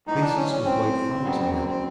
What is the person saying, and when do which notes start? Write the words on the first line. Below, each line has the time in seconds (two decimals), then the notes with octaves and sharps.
Places with white frogs in them.
0.07 B1 A2 E3 D#4
0.21 D4
0.36 C#4
0.52 C#4
0.65 C4
1.25 F#2 C#3 F#3 B3
1.40 C4
1.54 C4
1.68 C4